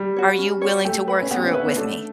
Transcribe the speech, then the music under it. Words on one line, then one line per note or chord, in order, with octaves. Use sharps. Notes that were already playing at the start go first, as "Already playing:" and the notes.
are you willing to work through with me?
Already playing: G3
F#4 C#5
C#4
F#4 C#5
A3 G4
B4 E5
C#4
B3 G4
C#4
B4 E5
B3
A3 D4